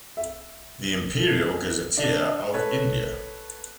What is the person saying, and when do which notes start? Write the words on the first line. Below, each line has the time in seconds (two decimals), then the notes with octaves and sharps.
The Imperial Gazetteer of India.
0.17 E5
1.17 A4
1.97 D4
2.54 A4 B4 C#5